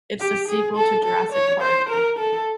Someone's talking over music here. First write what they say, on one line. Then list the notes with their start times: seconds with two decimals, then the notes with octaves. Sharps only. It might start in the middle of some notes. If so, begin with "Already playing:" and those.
It’s the sequel to "Jurassic Park."
0.20 G4
0.49 G#4
0.77 A4
1.05 A4
1.33 C#5
1.62 C5
1.90 A#4
2.18 A4